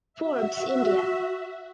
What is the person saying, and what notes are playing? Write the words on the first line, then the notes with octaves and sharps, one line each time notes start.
Forbes India.
F#4 E5